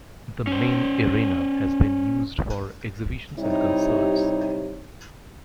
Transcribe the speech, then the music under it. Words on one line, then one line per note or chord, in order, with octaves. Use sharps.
The main arena has been used for exhibitions and concerts.
C#4 C5
C3 G3 D#4 E4 G4 C#5